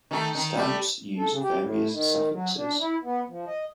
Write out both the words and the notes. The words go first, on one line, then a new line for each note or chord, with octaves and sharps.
Stamps use various suffixes.
D#3 A3
D#3
G3 A3
A4
C#3
G4
A2
D#3
F#3
D4
E4
B3
F3
D#5